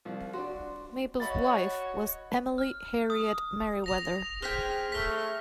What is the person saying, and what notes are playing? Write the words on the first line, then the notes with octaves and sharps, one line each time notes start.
Maple's wife was Emily Harriet Merryweather.
C2 F3
D4 F#4 C6
F#4 C#5 D#5 B5 A6
F6
D#6
D#6 A#6 F7
G#4 C5 G5 F6 F#6 B6
A3 F6 B6